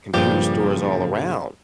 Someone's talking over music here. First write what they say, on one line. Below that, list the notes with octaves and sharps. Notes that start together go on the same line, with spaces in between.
computer stores all around
G2 A#2 C#3 F3 G3 G4